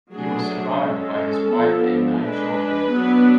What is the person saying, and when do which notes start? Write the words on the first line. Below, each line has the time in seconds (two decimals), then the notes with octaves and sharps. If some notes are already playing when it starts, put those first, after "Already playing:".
He was survived by his wife and nine children.
0.13 F#3 A3 D4 G#4
0.82 G#3 C#4 A4
1.52 F3 B3 D4
2.21 G#3 D4 B4
2.91 F#3 B3 D4